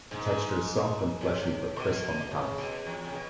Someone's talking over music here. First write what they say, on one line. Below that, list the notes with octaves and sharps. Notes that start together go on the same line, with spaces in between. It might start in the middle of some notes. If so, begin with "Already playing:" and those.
The texture is soft and fleshy, but crisp on the palate.
G#2
A2
B2
C#3
B2
E2
C#3
B2